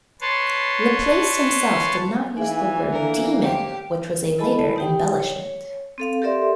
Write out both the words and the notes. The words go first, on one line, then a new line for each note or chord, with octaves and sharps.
Laplace himself did not use the word "demon", which was a later embellishment.
B4 C#5 A5 C6
E3 D#4 G#4 F5 G#5
A#3 D4 A4 A#4
G4 C5 C#5
E4 A4 D#5 G#5 A5 B5
D#4 G4 G5
C#5
C4 A4 F5
G4 A4 A#4 D5 E5 C6